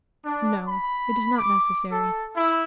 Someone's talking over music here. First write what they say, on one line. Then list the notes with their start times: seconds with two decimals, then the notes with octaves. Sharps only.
"No; it is not necessary."
0.24 D4
0.66 B5
1.37 D6
1.91 A4
2.35 E4